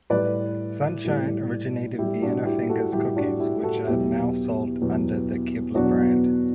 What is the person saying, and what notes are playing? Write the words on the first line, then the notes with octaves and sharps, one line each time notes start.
Sunshine originated Vienna Fingers cookies, which are now sold under the Keebler brand.
A2 E3 G3 B4 D5
A2 E3 G3
A2 E3 G3 E4 G4
D4 F#4
E4 G4
F#4 A4
A2 E3 G3 E4 G4
D4 F#4
E4 G4
F#4 A4
E2 B2 F#3 E4 G4
E2 B2 F#3
E2 B2 F#3 D4 F#4
B3